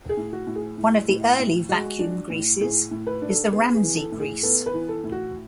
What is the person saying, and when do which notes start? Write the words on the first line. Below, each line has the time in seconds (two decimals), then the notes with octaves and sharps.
One of the early vacuum greases is the Ramsay grease.
0.09 G#4
0.17 A2
0.33 F#4
0.47 A2
0.56 G#4
0.78 A2
1.09 A2
1.38 A2
1.69 G#3 F#4
1.99 D4
2.30 A2
2.61 A2 G#4
2.91 A2
3.07 B4
3.22 D4
3.29 A4
3.52 B3 G#4
3.74 G#4
3.82 E3
3.97 A4
4.12 A2
4.20 G#4
4.43 B3 A4
4.66 B4
4.73 E3
4.89 A4
5.04 A2
5.12 F#4